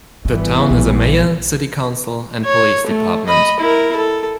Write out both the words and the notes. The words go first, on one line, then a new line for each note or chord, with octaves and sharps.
The town has a mayor, city council and police department.
G#1 E3 G3 B3 D4
A#1
C#5
A3
D#5 B5
E4 A#4
A4